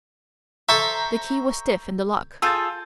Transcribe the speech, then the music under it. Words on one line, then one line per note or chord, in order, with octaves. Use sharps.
The key was stiff in the lock.
A4 C5 E5 A#5 C#6 G6
F4 G#4 A4 E6 G6 A6